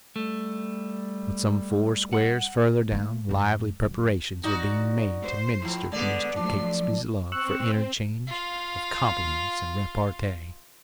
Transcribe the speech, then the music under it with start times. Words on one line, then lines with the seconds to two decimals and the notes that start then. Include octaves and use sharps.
But some four squares farther down lively preparations were being made to minister to Mr. Catesby's love for interchange of compliments and repartee.
0.16 G3 A3
2.13 F#5
2.92 A3 A#3
3.29 F#2 G#3
3.86 F#2
4.43 D#4 F#4 D5
5.23 C5
5.62 A2 F3
5.92 D3 G#3 B3 D5
6.36 F3 F#3 A3 D4
7.32 C4 C#6 E6 F#6
8.27 F4 F5